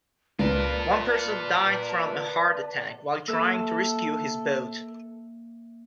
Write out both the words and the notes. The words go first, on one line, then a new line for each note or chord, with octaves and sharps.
One person died from a heart attack while trying to rescue his boat.
C#2 F4 A#4 B4 D5 A5
A#3 A4 B4 E5